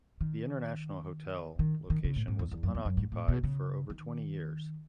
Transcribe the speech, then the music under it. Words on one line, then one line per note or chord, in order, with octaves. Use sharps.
The International Hotel location was unoccupied for over twenty years.
D#3
D#3
D#3
C#3
A2
G#2
E2
E2
F#2
E2
F#2
G#2
A2
B2
C#3
D#3